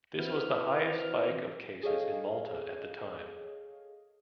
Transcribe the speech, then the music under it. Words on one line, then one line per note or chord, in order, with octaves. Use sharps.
This was the highest spike of cases in Malta at the time.
E3 C4 E4 F#4 B4 F6
G#4 A4 C#5 D#5 F5